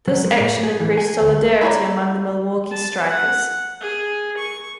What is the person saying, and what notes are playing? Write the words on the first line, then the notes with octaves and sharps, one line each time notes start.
This action increased solidarity among the Milwaukee strikers.
F#3
G#3
A2
G#4
E3
G#5
D2
A#3 E4 F#4 C#5 D5
A5
F#5
G#4
C#6